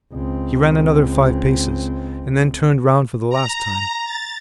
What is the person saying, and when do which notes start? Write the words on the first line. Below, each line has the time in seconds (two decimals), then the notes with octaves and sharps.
He ran another five paces and then turned round for the last time.
0.12 C#2 C4
3.29 A#5
4.04 A6